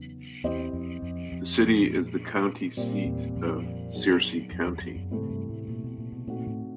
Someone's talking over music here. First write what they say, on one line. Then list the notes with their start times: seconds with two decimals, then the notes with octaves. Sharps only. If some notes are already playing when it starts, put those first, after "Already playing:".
The city is the county seat of Searcy County.
Already playing: E2 C#3 F#3 B3 D#4
0.44 E2 C4 E4 G4 C5 D#5
0.73 F2
1.02 F2
1.32 F2
1.60 A#2 F3 G#3
2.77 A#2 G3 C4
3.06 E2
3.36 F2
3.94 F#3 B3 D#4 G#4
4.52 F2
4.67 E2
4.81 F2
4.96 F#2
5.10 G#2 C3 E3 A3 C4 E4
5.30 G2
5.49 A2
5.68 A#2
5.84 B2
5.98 A#2
6.12 B2
6.27 A#2 A3 C4 D#4 F#4
6.47 A2